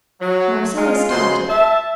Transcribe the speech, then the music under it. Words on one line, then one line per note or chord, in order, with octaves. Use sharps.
Marcella started.
F#3
G#3 F4
C#3 F3 G#3 F#4 C5 C6
E5 A5